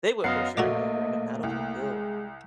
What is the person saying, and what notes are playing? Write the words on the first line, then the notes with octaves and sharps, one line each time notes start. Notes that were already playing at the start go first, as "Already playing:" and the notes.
They would, for sure, know you're in a medical field.
F#2 B3 D#5 F5 F#5 C7
A#1 A3 A#3 F#4 D#5 A#5 D6
C2
G#3